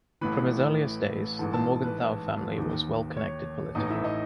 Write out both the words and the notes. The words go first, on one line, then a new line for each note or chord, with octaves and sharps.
From his earliest days, the Morgenthau family was well-connected politically.
A1 A2 E3 B4 B5
A1 G#2 E3 A4 A5
A4 A5
B4
D#2 D#3
C#5
A1 A2 E3 D#4 D#5
E4 E5
D#4 D#5